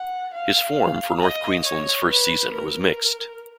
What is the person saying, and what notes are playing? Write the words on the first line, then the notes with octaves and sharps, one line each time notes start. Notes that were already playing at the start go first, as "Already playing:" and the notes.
His form for North Queensland's first season was mixed.
Already playing: F#5
F5
D#5
C#5
B4
A#4